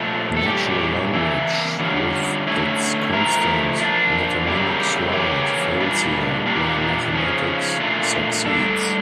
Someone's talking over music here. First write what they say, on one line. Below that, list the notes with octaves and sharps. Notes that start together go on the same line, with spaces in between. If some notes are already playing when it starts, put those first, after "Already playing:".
Natural language, with its constant "metonymic slide", fails here, where mathematics succeeds.
Already playing: A#2 F3 A3
A4
A#2 G3 C#4 G4
E3 A#3 E4
D3 G3 C#4 F4
D3 A3 C#4 E4
F3 A3 E4 A#4
F3 A#3 D4 F4
C#3 G3 A#3 E4 G4
G4
C#3 E3 A#3 C#4 G4
A#2 G3 D4 F4
A#2 F3 A#3 D4 F4 G4
C#3 F3 C#4
A#2 A3 D4 F4
A2 G3 D4 A4